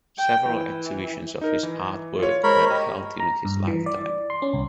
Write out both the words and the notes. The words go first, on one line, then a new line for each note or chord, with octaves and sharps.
Several exhibitions of his artwork were held during his lifetime.
G5
E3
D#4 A#4
E3
F4 C#5
G#3 A#4 C5 C#5 B5
G4 D#5
A#5
G2
E3
D5
C6
C#4
C2